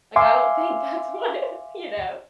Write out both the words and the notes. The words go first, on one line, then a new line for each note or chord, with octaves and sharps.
Like, I don't think that's what you know?
E5 F5 G#5 C6 D6